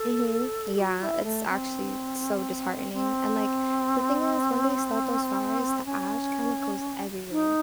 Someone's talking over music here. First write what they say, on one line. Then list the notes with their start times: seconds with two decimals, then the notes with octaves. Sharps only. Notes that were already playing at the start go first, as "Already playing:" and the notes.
Mhm. Yeah. It's actually so disheartening, and, like, the thing is when they start those fires, the ash, kind of, goes everywhere,
Already playing: A4
0.74 A4
0.78 F#4
0.99 F#4
1.03 E4
1.23 A3
1.47 C4
2.93 C4
5.85 C#4
7.31 D#4